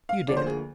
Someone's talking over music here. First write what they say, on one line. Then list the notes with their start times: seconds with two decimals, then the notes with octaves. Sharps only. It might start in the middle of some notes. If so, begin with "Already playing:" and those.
"You did."
0.09 F5
0.28 D2 D3 F3 A#3 D5
0.37 C5
0.47 G#4